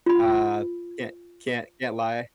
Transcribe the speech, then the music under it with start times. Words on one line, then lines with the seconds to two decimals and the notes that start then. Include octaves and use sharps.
Uh, can't can't can't lie.
0.06 F4 B5